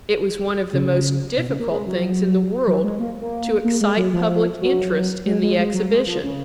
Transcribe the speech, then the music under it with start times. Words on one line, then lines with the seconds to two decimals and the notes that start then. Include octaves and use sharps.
It was one of the most difficult things in the world to excite public interest in the exhibition.
0.73 C#3
1.38 B2
1.49 C#3
1.60 A#3
1.70 G#3
1.87 F#3
2.67 F#3
2.84 G#3
3.00 A#3
3.21 A#3
3.64 A#3
3.81 G#3
3.97 F#3
4.13 F3
4.61 F#3
5.26 G#3
5.42 G#3
5.58 G#3
5.74 F#3
5.90 G#3
6.07 F3
6.24 C#3